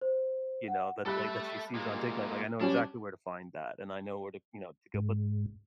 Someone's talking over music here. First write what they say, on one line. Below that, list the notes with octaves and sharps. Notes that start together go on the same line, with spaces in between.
you know, that, like, that she sees on TikTok. Like, I know exactly where to find that, and I know where to, you know, to go. But,
C5
F#5
G3 A4 E5 B5 F#6
A#2 G#3 A#3
F#3 G3 C#4 D4
G#2